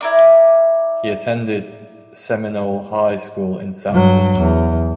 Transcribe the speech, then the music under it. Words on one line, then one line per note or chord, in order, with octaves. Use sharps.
He attended Seminole High School in Sanford.
E4 A#4 D5
G2 F#3
E2